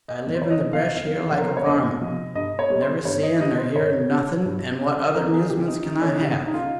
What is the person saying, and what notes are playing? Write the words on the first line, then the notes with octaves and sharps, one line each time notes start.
I live in the bresh here like a varmint, never seein' nor hearin' nothin', and what other 'musement kin I have?
D#5
F2
C5
C#5
D#5
F3
C3
F5
F2
C3 F3
A#4
C5
C#5
F2 D#5
C3 F3
G2 D#5
C#5
G3
C5
G2 C#5
D#5
G3 D#5
C5
G2 C#5
G3
G2
G3
C#2 A#4
G#4
C#3 G3 G4
D#4
C#2 D#4
C#4
D#4
C#3 G3
D#4
D#4
C#2 F4